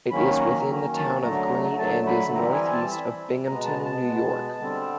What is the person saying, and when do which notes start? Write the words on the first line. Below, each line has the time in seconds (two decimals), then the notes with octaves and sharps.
It is within the town of Greene and is northeast of Binghamton, New York.
0.11 D#3 F#3 A#3 C#4 B5
0.39 A#5
0.67 D#3 F#3 A#3 C#4 A#5
0.95 A5
1.22 D3 F#3 A3 A#5
1.78 D3 F#3 A3 A5
2.07 B5
2.34 E3 G3 C4 A#5
2.54 G#5
2.73 A5
2.91 E3 G3 C4 B5
3.47 B2 G#3 B3 A#5
3.65 A5
3.85 A5
4.03 B2 G#3 B3
4.59 D3 G3 C4